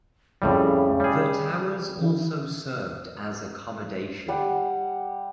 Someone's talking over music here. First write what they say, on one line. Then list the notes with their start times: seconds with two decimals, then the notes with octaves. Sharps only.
The towers also served as accommodation.
0.42 F2 A2 C#3 G3
1.00 G3 G#4
1.99 E3
4.28 G3 F#5